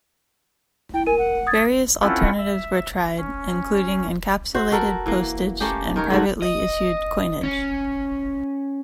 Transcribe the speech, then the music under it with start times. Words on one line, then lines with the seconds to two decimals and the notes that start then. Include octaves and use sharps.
Various alternatives were tried, including encapsulated postage and privately issued coinage.
0.94 E4 G5
1.07 A#4 G#5 D#7
1.18 F#5
1.47 D#6 G#6 A6
2.01 C4 C#4 E4 F4 A4 F#5
2.38 E5
3.18 C#4
4.54 F#4 C5
4.72 F#4 A4 A#4
5.06 E3 A#3
5.60 A3 A#3 C#4 G4
5.96 D#3 A#4 C#5
6.10 G#2 F#3 F#4 A4
6.42 D#5
7.43 C#4